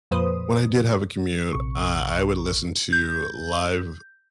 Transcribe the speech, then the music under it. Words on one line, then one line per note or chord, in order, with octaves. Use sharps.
when I did have a commute, uh, I would listen to live
F2 A#2 F3 B4 C5 D#6
A#1 C3 C#6
G6